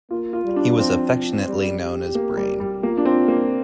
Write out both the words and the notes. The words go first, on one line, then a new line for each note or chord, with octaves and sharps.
He was affectionately known as "Brain".
A#3 F4
F4
G3
D4
F3 C4
G3
G4
A#3
G3
G3
A#3 F4
D4
C4
A#3